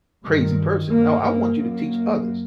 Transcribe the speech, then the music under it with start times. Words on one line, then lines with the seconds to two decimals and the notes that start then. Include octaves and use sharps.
crazy person. I I want you to teach others
0.25 G2 D#3
0.92 G2 A#3
1.59 F#2 A#3